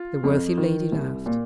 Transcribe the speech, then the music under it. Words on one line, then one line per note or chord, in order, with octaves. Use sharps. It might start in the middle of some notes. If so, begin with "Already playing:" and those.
The worthy lady laughed.
Already playing: F4
F2
D#3
C2
A#2